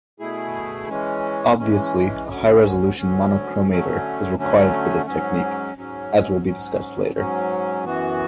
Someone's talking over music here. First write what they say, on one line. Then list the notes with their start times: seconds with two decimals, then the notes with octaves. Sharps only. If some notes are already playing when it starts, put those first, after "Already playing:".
Obviously, a high-resolution monochromator is required for this technique, as will be discussed later.
0.20 B2 A3 E4 G#4
0.89 E3 G#3 C#4
1.59 E3 G#3 C#4
2.28 D2 D3 F#3 C#4
2.98 D2 D3 F#3 C#4
3.67 D3 F#3 A3 C#4
4.37 D3 F#3 A3 C#4
5.06 G#2 F#3 C#4
5.76 G#2 F#3 C#4
6.46 G#2 F#3 C#4
7.15 G#2 F#3 C#4
7.84 F#2 E3 B3 F#4